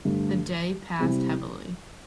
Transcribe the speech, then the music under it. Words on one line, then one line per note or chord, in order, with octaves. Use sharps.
The day passed heavily.
G2 D3 A3
C3 G3 C4 E4